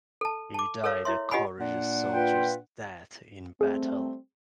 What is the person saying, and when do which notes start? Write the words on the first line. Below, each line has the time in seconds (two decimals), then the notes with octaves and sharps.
He died a courageous soldier's death in battle.
0.21 A4 A5
0.54 A5 D6
0.84 A4 A#4 C#5 F5
1.05 E4 C#5 E5 C6
1.31 F4 G4 D#5 F#5 G#5 B5
1.60 A#2 D4 F#5
2.13 F4 B4 G5
3.61 G3 A3 C4 G#4